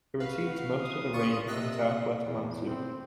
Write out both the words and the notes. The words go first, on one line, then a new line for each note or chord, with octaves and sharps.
It receives most of the rain from Southwest Monsoon.
F#4 B4 F5
D#6
A#2 F4 C#6 D#7
C3 D#5 E6 F#6 A#6
E2
C4